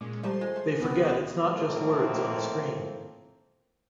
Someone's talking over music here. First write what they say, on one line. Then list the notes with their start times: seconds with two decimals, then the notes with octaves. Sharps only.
They forget it's not just words on a screen.
0.01 A#2 G#3 C#4 D6
0.23 F3 G3 A3 G4 A#5 C6
0.41 G#3 F4
0.56 A3
0.79 C2 A#3 B3 G4
1.45 F2 A2 A#3 C4